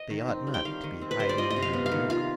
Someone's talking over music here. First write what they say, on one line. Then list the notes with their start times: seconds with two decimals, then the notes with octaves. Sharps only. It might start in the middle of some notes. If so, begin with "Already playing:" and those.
They ought not to be hiding behind a river.
Already playing: D#5
0.10 D#3
0.28 C4
0.47 G3
0.54 G5
0.65 D#3 F5
0.84 D#3
1.01 C4
1.11 B4
1.19 G3 C5
1.29 D5
1.38 F4 D#5
1.50 D#5
1.56 C3
1.62 F5
1.73 B3
1.86 F5
1.92 D#3
2.10 F4 F5